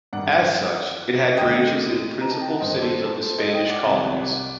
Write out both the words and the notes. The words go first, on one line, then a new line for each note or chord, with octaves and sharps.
As such, it had branches in the principal cities of the Spanish colonies.
G2 D#3 D5 F#5
D2 C3 D#3 D#5 G5
A#5
A5
G5
F#5
G2 D#3 C5 D#5
D5
A4 C5
A4
A4 C5
C5 D#5
D#5 G5
D5 F#5
C2 C3 D#3